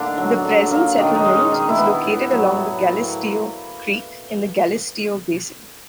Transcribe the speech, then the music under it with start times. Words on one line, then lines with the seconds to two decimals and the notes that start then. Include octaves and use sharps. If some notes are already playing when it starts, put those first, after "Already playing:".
The present settlement is located along the Galisteo Creek in the Galisteo Basin.
Already playing: A2 D3 A#3 D4 D#4
0.18 F#3
0.45 D3
0.71 A#3
0.98 D#3 D4
1.15 D#4
1.25 G#3
1.34 C#4
1.51 D#3 D4
1.69 E4
1.77 B3
1.86 E4
2.05 A2
2.31 F#3
2.57 A2
2.83 A#3